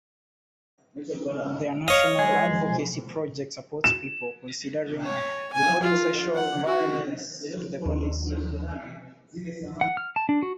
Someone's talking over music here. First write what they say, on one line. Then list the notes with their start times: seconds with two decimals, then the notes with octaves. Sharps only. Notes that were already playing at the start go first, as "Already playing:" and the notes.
Their National Advocacy Project supports people considering reporting sexual violence to the police.
1.88 C#5 D#5 F5
2.19 G#3 G#4
3.84 E7
5.06 C#5
5.53 G#5
5.83 F4
6.35 F#5
6.66 F#4
7.85 D#2 D4
9.81 F#5
9.97 F6
10.16 A5
10.29 D4
10.43 F#4